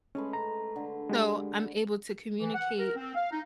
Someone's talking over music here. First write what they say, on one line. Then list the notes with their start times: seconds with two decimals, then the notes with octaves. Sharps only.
so, I'm able to communicate
0.15 G#3 A3 C#4 B4
0.33 A#5
0.76 D3
1.09 G#3 G4
2.40 E3
2.54 F#5
2.78 A#4
2.96 C4
3.15 F5
3.31 D#4